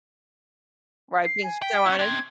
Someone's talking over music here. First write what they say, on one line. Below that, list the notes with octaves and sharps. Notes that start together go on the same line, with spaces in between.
Right, being so on.
C7
G#5
G5 B6
C#4 E4
C4 D4 G#6